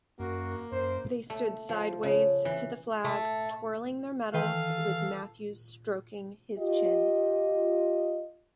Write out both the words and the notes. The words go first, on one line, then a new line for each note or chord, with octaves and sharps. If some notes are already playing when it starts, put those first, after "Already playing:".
They stood sideways to the flag, twirling their medals, with Matthews stroking his chin.
F#2 A#3 F#4
F#2 C5
A3
F3
C#3
E3
A3
D#3 E3 A4 B4 F5 G5
F4 G4 D#5